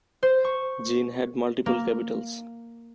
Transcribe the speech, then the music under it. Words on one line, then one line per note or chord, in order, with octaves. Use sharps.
Jin had multiple capitals.
C5
C#6
A#3